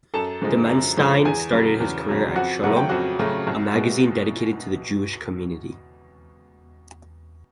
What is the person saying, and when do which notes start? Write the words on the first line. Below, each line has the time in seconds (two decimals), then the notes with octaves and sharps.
Dimenstein started his career at Shalom, a magazine dedicated to the Jewish community.
0.14 F#2 A4 A5
0.42 D3 F3 G#3
0.69 F#2
0.97 D3 F3 G#3
1.25 E2 G#4 G#5
1.52 C#3 F#3
1.80 E2
2.08 C#3 F#3
2.36 F2 F#4 F#5
2.64 C#3 F#3 A3 F#5
2.77 G5
2.89 F2 F#4 F#5
3.19 C#3 F#3 A3
3.47 C2
3.75 B2 G#3